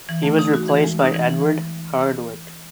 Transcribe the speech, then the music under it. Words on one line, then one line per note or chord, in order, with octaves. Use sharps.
He was replaced by Edward Hardwicke.
E3
A3
D#4
F#4
E3
G#3
D#4
E3
E3